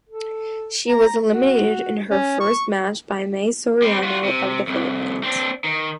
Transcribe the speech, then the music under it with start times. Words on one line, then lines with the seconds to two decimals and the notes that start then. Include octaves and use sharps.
She was eliminated in her first match by Mae Soriano of the Philippines.
0.09 A4
0.89 A#5
1.31 F#4
2.10 C#4
2.40 C#6
3.82 G3 C4
4.03 F4 F#4
4.24 C3
4.67 C2 F2
5.23 C4 D4
5.64 D#3